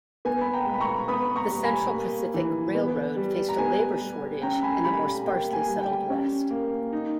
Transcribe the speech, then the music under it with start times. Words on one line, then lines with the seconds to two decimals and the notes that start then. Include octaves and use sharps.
The Central Pacific Railroad faced a labor shortage in the more sparsely-settled West.
0.25 B3 G#5
0.41 B5
0.53 G5 A#5
0.66 G#3
0.74 B5
0.80 A#5 C#6
1.08 B3 B5 D#6
1.36 A#5 C#6
1.51 G3
1.64 G#5 B5
1.93 A#3
2.34 E3
2.75 B3
3.16 G3
3.49 A#5
3.58 B3 G#5
4.00 G3
4.42 C#4 G5 A#5
4.63 G#5 B5
4.84 G3 G#5 B5
5.25 A#3 G5
5.53 G#5
5.68 G3
5.81 G5
6.10 C#4
6.50 A#3
6.92 D#4